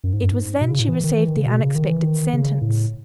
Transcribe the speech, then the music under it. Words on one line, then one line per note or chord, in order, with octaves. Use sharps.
It was then she received the unexpected sentence.
F#2
G#2
F#2
G#2
B2
C#3
A2
E3
D#3
E3
D#3
C#3
B2
C#3
D#3
E3
D#3
C#3
A2